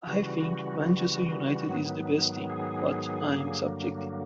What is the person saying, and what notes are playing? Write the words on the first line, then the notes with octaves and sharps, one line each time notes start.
I think Manchester United is the best team, but I'm subjective.
C#3 E3 G3 F#4
G#2 D#3 F#3 B3
G#4
G2 D3 F#3 A#3